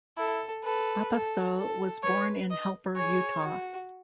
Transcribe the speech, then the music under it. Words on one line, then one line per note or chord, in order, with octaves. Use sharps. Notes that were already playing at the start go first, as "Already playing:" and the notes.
Apostol was born in Helper, Utah.
E4 A4
A4 B4
A4
A4
B4 C#5
D#5
G#4 C#5
F#4